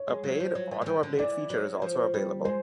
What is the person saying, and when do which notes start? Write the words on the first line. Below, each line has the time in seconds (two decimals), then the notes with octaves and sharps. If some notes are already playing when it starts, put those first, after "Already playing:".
A paid auto-update feature is also available.
Already playing: C#5
0.08 G#3
0.24 F#3
0.40 F3
0.55 F#3
0.71 E3
0.82 D3
0.86 D#3
1.03 D3
1.19 E3 D5
1.50 F#3
1.82 F3
2.14 G3
2.45 G#3 C5